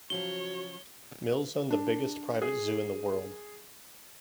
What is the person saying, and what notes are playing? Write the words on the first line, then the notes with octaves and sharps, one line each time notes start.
Mills owned the biggest private zoo in the world.
C#3 F3 F#3 F#4 C#5 G7
D4
G#4